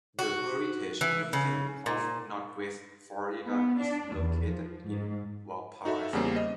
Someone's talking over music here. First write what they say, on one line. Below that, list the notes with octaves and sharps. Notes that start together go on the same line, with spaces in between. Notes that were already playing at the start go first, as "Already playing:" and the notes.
The Heritage Museum of Northwest Florida is located in Valparaiso.
F#4
E3
C#3
A#2
B3
D4
E2
F3
G#2
D#4 F#4 A4 E5
E2 C#3 G3 A#3 C4
D#5